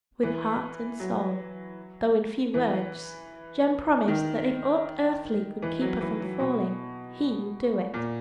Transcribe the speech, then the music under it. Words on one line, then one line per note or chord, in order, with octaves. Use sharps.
With heart and soul, though in few words, Jem promised that if aught earthly could keep her from falling, he would do it.
E3
F#3
E3
D#3
E3
F#3
E3
F#3
B2
A#2